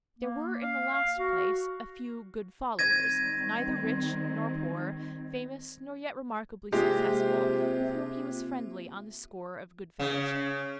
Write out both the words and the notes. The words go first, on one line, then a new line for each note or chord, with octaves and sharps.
There were, in the last place, a few good followers, neither rich nor poor, famous, nor yet remarkably successful, with whom he was friendly on the score of good-fellowship.
A#3
F5
F5
F#4
D#3 G3 C4 G#6 A#6 D#7
C3 G#3 A#3 F4 G4 E5
C#3